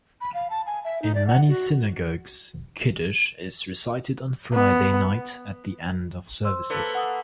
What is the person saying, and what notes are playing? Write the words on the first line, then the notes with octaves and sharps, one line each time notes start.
In many synagogues, "kiddush" is recited on Friday night at the end of services.
B5
F5
A5
G#5
E5
D#4
D5
F#5
F#4
B3
C5 C6 E6
A#3 A4 B4
F#5 D#6 E6 B6